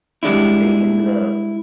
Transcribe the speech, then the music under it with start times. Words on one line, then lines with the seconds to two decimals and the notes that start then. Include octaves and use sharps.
they ended up
0.23 G3 G#3 D4 E4